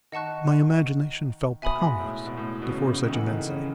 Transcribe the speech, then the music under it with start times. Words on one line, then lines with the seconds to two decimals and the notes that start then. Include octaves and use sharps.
My imagination fell powerless before such immensity.
0.12 D#3 D#5 F#5 A5 C#6 F#6
1.62 B2 E5 G#5 B5 D#6
1.80 G#2
1.99 A2
2.26 B2
2.37 A2
2.62 B2
2.70 C#3
2.78 B2
2.87 C#3
3.05 D#3
3.12 E3 A4 D#5 F#5
3.26 C#3
3.31 D#3
3.49 C#3